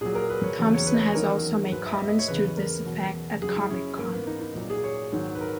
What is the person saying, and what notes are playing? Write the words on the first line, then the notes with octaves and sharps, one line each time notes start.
Thompson has also made comments to this effect at Comic-Con.
A#2 F#3 G#4
A#4
B4
C#5
E2 C#3 F#3
C#5
B4
D#5
C#5
E2 D#3 F#3 A#4
G#2 F#3 B4
E5
D#5
E5
D#5
C#5
E2 C#3 E3 B4
A#4
E2 B2 F#3
F#2 C#3 F#3 G#4
E4
C#4
G#2 E3 A#3
B3
D#4
D#4
A#2 F#3
G#4
C#5
G#2 D#3 F#3
B4
A#4